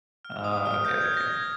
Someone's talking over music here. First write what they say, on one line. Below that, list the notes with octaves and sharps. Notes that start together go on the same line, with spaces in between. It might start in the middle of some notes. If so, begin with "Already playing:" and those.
Oh, okay, okay.
F6
D#6
F6
G6
G#6
A#6
G#6